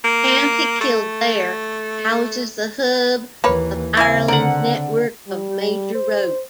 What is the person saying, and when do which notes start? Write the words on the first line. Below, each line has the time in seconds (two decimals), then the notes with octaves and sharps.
County Kildare houses the hub of Ireland's network of major roads.
0.04 A#3
0.81 A3
3.44 D#2 E3 A#3 B4 C#5
3.97 C#3 C4 E4 E5 G#5
4.28 D3 A#4 F#5
5.28 G3
5.95 C5